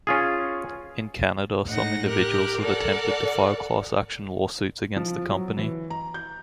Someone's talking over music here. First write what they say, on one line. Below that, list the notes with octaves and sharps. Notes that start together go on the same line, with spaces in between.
In Canada, some individuals have attempted to file class action lawsuits against the company.
C#4 F4 G#4
A2 D#4 F#5 A#6
G4 A#4 F#6
A4 A#4 D5 F#5
F3
F#3
E3
A#5
G6